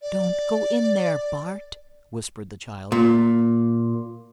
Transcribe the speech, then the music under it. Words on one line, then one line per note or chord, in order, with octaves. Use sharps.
"Don't go in there, Bart!" whispered the child.
D5
A#2